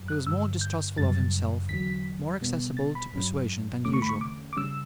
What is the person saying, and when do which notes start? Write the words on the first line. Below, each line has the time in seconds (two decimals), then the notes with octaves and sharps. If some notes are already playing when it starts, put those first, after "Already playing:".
He was more distrustful of himself, more accessible to persuasion than usual.
Already playing: F#2 F#3
0.08 F#6
0.27 G2 D3 G3 E6
0.61 G6
0.98 F#2 C#3 G3 A6
1.69 E2 D3 F#3 B6
2.41 B2 G3 B3
2.77 A6
2.95 B5
3.13 G2 F#3 C#4
3.85 E2 D3 A3 C#4 D6
3.94 C#6
4.02 B5
4.09 C#6
4.21 D6
4.53 D6
4.57 C#3 G3 C#4 E6